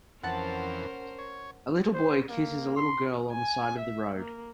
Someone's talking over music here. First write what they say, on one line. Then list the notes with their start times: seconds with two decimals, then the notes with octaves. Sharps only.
A little boy kisses a little girl on the side of the road.
0.23 F2 E3 C#4 A#4 C5 F#5 A5
1.19 C#5
1.94 C5
2.29 A#3
2.76 C6
3.32 G#5
3.79 E5
4.15 A#3